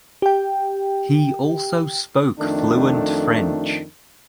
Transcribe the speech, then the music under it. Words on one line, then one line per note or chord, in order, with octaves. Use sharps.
He also spoke fluent French.
G4 G5
F2 D#3 A3 D4